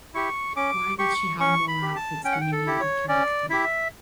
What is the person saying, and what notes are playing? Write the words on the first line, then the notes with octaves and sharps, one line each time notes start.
Why does she have more outfits than any other character?
E4 G4 C#6
C#4 D6
G4 C#6
C#4 C#6
B5
G4
A5
C#4 G5
F#5
G5
A4
E4 G4
C#5
C#4 D5
E4 G4 E5